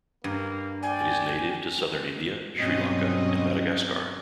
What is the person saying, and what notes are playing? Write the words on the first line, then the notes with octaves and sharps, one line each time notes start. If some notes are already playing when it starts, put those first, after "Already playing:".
It is native to southern India, Sri Lanka, and Madagascar.
G2 A#3
D5 G5 G#5
G2 B2 F#3 C4 C#4 D#5